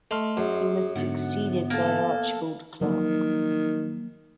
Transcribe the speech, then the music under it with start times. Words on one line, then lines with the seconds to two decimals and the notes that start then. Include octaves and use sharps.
He was succeeded by Archibald Clark.
0.11 A3 D#5 C6 F6
0.37 F#2 G#4
0.96 G#2 D3 B3 F#5
1.70 A#3 A4
2.81 D#3 F3 F#3 A#3